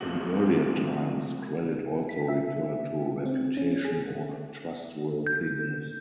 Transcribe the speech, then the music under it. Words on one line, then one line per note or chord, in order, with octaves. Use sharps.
In earlier times, credit also referred to reputation or trustworthiness.
F3 G#3 A3 C4 F#4
B6
E5
C4
C#4
G#4
G6